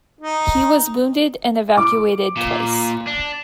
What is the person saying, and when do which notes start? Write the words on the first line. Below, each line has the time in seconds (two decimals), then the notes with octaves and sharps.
He was wounded and evacuated twice.
0.21 D#4
1.77 D6
2.37 A#2
3.07 D4